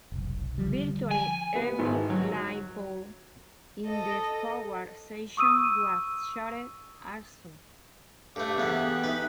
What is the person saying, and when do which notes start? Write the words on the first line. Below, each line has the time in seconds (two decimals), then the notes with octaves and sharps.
Virtually every light bulb in the forward section was shattered also.
0.12 F1 B1
0.58 D3 F3 G3
1.11 G#5
1.55 B3
1.79 G#1
2.10 F#3
3.85 A4 D#5
5.37 C#6 D#6 E6 D#7
8.36 G2 A3 A4 B4 D5 F5
8.58 E2 E3 B3 G4 F#5
9.04 D#4 B4 E5